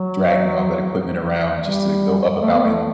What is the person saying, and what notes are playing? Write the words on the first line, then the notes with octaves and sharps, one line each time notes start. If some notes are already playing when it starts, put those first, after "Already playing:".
dragging all that equipment around just to go up a mountain,
Already playing: F#3
G3
A3
B3
A3